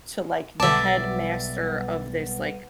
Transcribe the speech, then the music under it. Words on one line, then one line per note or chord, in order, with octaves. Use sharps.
to, like, the headmaster of this, like,
B1 D3 G3 B4 D5 E5 F#5 A5